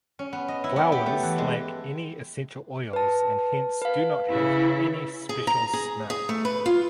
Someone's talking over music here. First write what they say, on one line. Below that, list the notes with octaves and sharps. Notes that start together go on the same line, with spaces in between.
Flowers lack any essential oils and hence do not have any special smell.
C#4
B3
D#5
E4
B3
G4
A3
E3
G#3
B4 A5
B4 F5
C#3 E4
G#4
A#5
G#4
G#4
A3
B4
F4